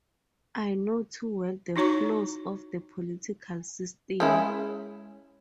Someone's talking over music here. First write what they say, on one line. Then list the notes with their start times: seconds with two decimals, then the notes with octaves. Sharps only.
I know too well the flaws of the political system.
1.76 D#4 E4 F#4 C#5 A#5 C#6
4.20 G#3 C#4 E4